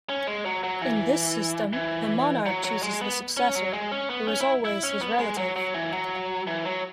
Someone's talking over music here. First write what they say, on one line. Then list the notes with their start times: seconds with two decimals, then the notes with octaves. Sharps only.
In this system, the monarch chooses the successor, who is always his relative.
0.09 C#4
0.27 G#3
0.45 F#3
0.64 F#3
0.82 E3
1.73 E3
2.46 F#3
2.64 F#3
2.83 G#3
3.01 B3
3.37 C#4
3.55 F#3
3.73 G#3
3.92 C#4
4.10 B3
4.28 C#4
4.40 E4
4.65 E4
4.83 C#4
5.02 B3
5.19 G#3
5.38 F#3
5.56 F#3
5.74 E3
5.92 F#3
6.47 E3
6.65 F#3